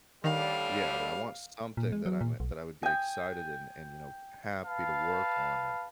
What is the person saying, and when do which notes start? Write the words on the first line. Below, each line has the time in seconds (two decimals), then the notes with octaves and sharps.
Yeah, but I want something that I'm e that I would be excited and and, you know, happy to work on or
0.24 A2 D3 D#3 G3 F5
1.77 A#2
1.92 G#3
2.06 F#3
2.21 A#2
2.40 B1
2.83 G5 G#5
4.65 B4 F5 A5